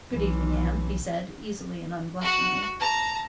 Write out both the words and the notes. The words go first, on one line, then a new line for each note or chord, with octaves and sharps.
"Good evening, Anne," he said, easily and unblushingly.
B1 E3
F#4 F#5
A5 A#5